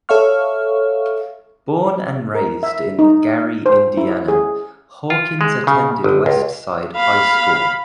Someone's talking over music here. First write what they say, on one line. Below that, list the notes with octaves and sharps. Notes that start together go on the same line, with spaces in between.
Born and raised in Gary, Indiana, Hawkins attended West Side High School.
A4 C#5 E5 F5 C#6 F6
A#4
E5
D#4
C5
E4
G#4
F4
G#3
C#3
G1
C#2
F5 B5